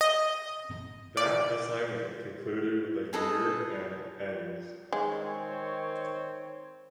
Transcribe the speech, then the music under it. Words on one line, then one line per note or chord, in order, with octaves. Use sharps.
That assignment concluded with the year and Ens.
D#5
D5
G#4 A4 B4 D#5
D#3 G#3 C4 C#5